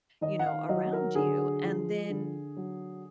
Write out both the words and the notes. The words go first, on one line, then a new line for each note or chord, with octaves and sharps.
you know, around you, and then
D#3 D#5
F#5
F5
F#3 D#5
A#4
D3 G#4
F3
D3
F#3